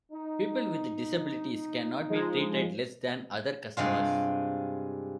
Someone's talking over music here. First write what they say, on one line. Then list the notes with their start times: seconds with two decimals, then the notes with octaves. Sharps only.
People with disabilities can not be treated less than other customers.
0.11 D#4
2.09 F3 G#3
3.77 G2 C3 G#3 F4